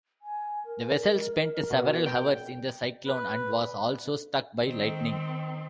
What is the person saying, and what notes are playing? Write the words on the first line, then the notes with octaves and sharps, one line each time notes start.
The vessel spent several hours in the cyclone and was also struck by lightning.
G#5
A#4
B2
G5
B4
D#3 C4